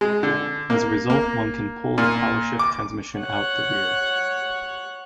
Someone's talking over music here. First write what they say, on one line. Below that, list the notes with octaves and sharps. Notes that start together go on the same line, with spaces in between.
As a result, one can pull the powershift transmission out the rear.
G#3
D3
A#3
A#3
A#2
D6
C#5 F#5